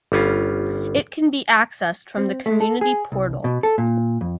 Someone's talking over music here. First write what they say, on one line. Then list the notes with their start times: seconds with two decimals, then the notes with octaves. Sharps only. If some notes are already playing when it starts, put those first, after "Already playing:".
It can be accessed from the Community Portal.
0.12 G1 G3 C#4 F4
2.17 C4
2.46 A3
2.61 A4
2.81 G#4
3.12 C2
3.44 B2
3.63 A4
3.78 A#2
4.21 F2